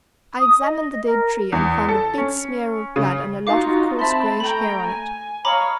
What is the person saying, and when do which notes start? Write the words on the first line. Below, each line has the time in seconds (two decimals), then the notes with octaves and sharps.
I examined the dead tree and found a big smear of blood and a lot of coarse greyish hair on it.
0.38 D#6
0.62 D#5
1.05 A#4
1.52 E2
1.89 A4
2.18 C#4
2.96 C#3
3.47 D#4 F4 F#4 F5 D6
3.99 C4 E5 A5 B5 C6
4.40 A3 G5 A#5 B5
4.87 G#5
5.45 C#5 D#5 F5 A#5 B5 D6